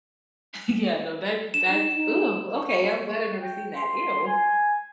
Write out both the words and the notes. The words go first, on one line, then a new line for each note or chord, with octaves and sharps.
Yeah, no, that that's, ugh, okay, I'm glad I've never seen that, ew.
D4 E7
D#4
D#4
C#6
G5
C6
G#5